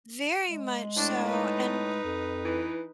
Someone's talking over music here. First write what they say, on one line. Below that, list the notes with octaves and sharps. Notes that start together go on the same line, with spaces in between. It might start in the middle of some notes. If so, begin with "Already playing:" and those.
Very much so, and
G#3
A2 D4
D#4 B4
F2
E3